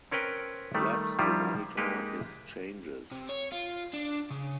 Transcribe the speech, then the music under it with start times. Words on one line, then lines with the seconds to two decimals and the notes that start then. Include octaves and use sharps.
Labs to monitor his changes.
0.11 C4 C#4 A#4 B4 G5
0.74 D#3 G3 A3
1.19 D#3 F3 G3 E4 F4
1.77 G#3 A#3 D#4 G4 B4
3.11 C3
3.29 C#5
3.52 F4
3.93 D4
4.30 C#3